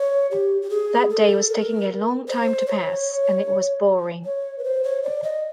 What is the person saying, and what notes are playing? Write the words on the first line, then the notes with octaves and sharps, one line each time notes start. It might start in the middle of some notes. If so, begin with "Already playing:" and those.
That day was taking a long time to pass, and it was boring.
Already playing: C#5
G4
G4
G#4
A4
A#4
C5
C#5
C#5
B4
C5
C#5
D5
D#5